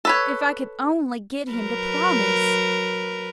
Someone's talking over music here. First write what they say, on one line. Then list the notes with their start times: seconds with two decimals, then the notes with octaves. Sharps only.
"If I could only get him to promise!"
0.05 A4 B4 C#5
1.52 F#3 A#4 B4